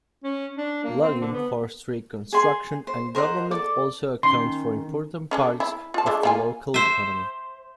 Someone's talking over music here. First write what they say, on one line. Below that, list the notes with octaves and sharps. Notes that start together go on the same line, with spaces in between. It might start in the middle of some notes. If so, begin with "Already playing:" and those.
Logging, forestry, construction and government also account for important parts of the local economy.
C#4
D4
A#3
C4
D3
B3
G#4 G#5 C6
C5
A#4 C5 D#5 F#5
A4 D5 D6
D#3 C#4 C6
C#4 D4 A4
E4
F4 A5
G#3 A3 D4
A#3 F4 G#5
C5 E5